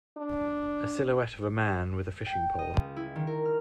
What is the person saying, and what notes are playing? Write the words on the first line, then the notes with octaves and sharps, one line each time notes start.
A silhouette of a man with a fishing pole.
D4
G5
D#5
C#2
E4
D#3
A#4
F6